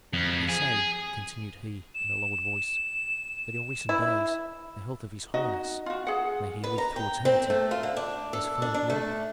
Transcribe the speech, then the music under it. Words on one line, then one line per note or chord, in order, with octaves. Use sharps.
"They say," continued he, in a lowered voice, "that in recent days the health of his holiness--may he live through eternity!--has failed notably."
F2
G#4
E7
E4
D#4 F#4 D#5
F4 F#4
G#4 F#5
B4
A#5
G5
C4
A3
F4
D3
D4
A4
D4
D4
A3